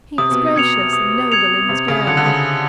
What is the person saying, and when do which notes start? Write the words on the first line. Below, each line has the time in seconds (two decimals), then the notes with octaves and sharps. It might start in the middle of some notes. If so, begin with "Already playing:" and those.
He is gracious and noble in his bearing.
0.18 C3 D#6
0.31 B2
0.56 B2 G#6 C#7 F7
0.93 D#6
1.32 G#6 C#7 F7
1.69 C3 D#6
1.88 C#3
2.07 D3 G#6 C#7 F7
2.17 D3
2.26 C#3
2.45 D#6